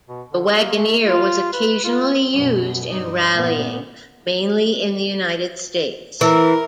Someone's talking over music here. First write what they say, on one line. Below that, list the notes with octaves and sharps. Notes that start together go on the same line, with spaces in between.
The Wagoneer was occasionally used in rallying, mainly in the United States.
B2
D3
A#3
A3
F4
B4
F4
F#2 B2
G2 D#4
A#2 B3
E3 A#4